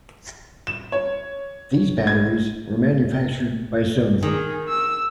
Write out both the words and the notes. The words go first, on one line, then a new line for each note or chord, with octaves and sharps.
These batteries were manufactured by Sony.
E7
C#5
G#6
D#3 G#4
E6